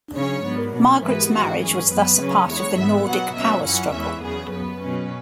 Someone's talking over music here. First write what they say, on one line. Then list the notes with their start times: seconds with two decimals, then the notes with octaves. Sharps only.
Margaret's marriage was thus a part of the Nordic power struggle.
0.15 C#3 F#3 C#4 C#5
0.44 G#2 F#3 B3
0.74 B2 B3
1.03 G#2 E3 G#3 B3 B4
1.32 G#2 E3 G#3 F#4
1.61 G#2 F#3 C#4 G#4
1.90 F#2 F#3 B3 B4
2.19 C#3 F#3 C#4
2.48 E2 E3 G#3 B3 C#5
2.77 G#2 G#3 B3 E5
3.06 B2 F#3 B3 F#5
3.35 B2 F#3 C#4 E5
3.64 F#2 E3 C#4 F#5
3.93 E2 E3 G#3 C#4 E5
4.22 E2 C#3 F#3 B3 G#4
4.51 F#2 F#3 B3 B4
4.81 B2 F#3 C#4